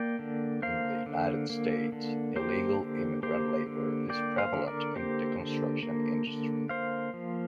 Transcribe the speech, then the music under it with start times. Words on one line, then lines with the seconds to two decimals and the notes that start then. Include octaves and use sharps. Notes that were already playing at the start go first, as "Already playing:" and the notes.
In the United States, illegal immigrant labor is prevalent in the construction industry.
Already playing: A#3 D5 G5
0.19 D3
0.62 A#3 C5 F5
1.06 D3
1.50 A#3
1.92 D3
2.36 A#3 G4 C5
2.80 D3
3.23 A#3 G4 C5
3.66 D3
4.09 A#3 D5 G5
4.38 C5 F5
4.53 D3
4.67 A#4 D5
4.96 A#3 G4 C5
5.40 D3
5.83 A#3
6.27 D3
6.69 A#3 C5 F5
7.14 F3